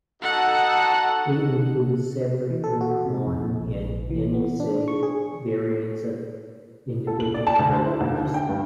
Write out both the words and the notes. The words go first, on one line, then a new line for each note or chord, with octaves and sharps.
It includes separate "Orkhon" and "Yenisei" variants of individual characters.
D#4 F#4 A4 F#5
E3
A4
F#4
C3
F2
A#2
A#1
E3
B3
D4
C#6
G#4
A4
F#7
D5
A5
D2
C5
E4
D#2
D3
G5
G2